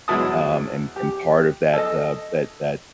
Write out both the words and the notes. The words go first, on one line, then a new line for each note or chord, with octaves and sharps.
um, and and part of that, uh, that that
E2 F#3 G#3 E4 A5 D#6
G4
A4 D#5